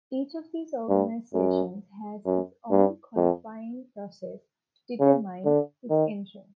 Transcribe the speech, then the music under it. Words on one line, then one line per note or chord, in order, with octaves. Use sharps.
Each of these organizations has its own qualifying process to determine its entrants.
G2
F#2
F#2
G2
F2
C#3
D3
D#3